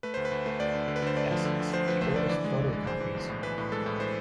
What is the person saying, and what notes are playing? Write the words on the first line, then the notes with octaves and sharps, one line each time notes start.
They are, in essence, the oldest photocopies.
A3 B4
D2 C5
B4
D2
A3
D2 D5
D3
D3
B4
D3 C5
A3 D5
F3
D3
D2
F3 C5
F3 B4
A3 C5
D3 D5
E3 D5
G#3
G#3
G#3
G#3 C5
E3
B1
A2
E3 B4
A2
G#3 A4
A2
E3 C5